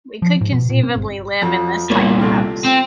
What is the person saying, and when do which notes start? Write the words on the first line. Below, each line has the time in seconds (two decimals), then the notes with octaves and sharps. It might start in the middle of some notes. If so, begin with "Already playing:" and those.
We could conceivably live in this type of house.
0.22 F3
0.41 G#2
0.52 B2
0.70 A#2
0.83 C4
0.96 G1
1.42 F2 F3 F#3
1.90 C2 A#2 A#3 C#5
2.21 C3 A3 F4
2.65 C4